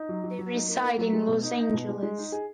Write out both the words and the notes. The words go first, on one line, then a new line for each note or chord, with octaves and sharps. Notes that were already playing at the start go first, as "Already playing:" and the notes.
They reside in Los Angeles.
Already playing: D#4
F#3
F#3
F#3
D#4
A#3
A#3
F#3
G#3
B2
D#4
D#4
B2
G#3
G#3
D#4
G#4